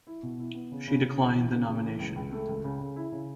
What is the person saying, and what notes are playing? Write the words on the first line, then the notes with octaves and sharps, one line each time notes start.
She declined the nomination.
E4
B2
E4
B3
C#3
C#3
C#3
E3
E3
C#3
C#3
E3
C#2
C#2
A3
C#2
C#3
C#3
E4
C#3